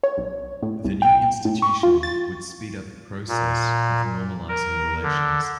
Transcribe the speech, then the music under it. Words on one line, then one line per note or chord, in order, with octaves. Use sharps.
The new institution would speed up the process of normalizing the relations.
C#5
B1
A2
C2
G5
A2
C#6
F4
A6
A#2
A#4
D3